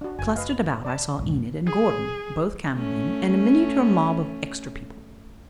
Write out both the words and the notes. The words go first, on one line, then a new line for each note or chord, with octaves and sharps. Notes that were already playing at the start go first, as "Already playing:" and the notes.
Clustered about I saw Enid and Gordon, both camera men, and a miniature mob of extra people.
D4 F#4
F#1 G#5
B4 D#5 F5
D5 A5 B5
B1 E2 G#2
G#4
A3 C#4